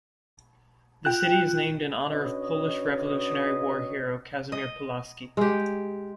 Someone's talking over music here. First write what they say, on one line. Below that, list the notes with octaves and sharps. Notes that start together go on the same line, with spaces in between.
The city is named in honor of Polish Revolutionary War hero Casimir Pulaski.
F4 G5 F#6
C#4 D4 F#4 B4 C#5 D#5
D#5
G#3 G4